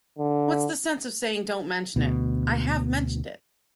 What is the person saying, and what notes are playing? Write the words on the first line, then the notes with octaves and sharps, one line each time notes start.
What's the sense of saying, 'Don't mention it'? I have mentioned it.
D3
D2 B2